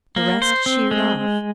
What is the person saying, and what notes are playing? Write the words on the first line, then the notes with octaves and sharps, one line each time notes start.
The rest sheered off.
A#3
C5
C4
G#3